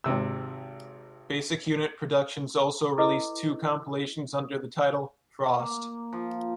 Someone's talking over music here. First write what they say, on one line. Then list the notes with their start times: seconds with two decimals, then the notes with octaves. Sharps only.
Basic Unit Productions also released two compilations under the title, "Frost".
0.04 G#1 G#2 C3 E6
2.98 E4 A4 B4 D#5 D6 D#6
5.59 A#3
6.13 F3